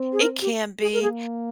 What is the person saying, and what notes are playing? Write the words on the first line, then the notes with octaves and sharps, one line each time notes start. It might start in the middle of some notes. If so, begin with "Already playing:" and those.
It can be,
Already playing: C4
G#4
A#4
G4
G#4
A#4
A#3 G#4